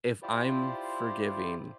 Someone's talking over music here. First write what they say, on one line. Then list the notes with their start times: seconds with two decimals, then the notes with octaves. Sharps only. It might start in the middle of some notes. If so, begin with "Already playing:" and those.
if I'm forgiving
0.22 E4 F4 G4 C5 D5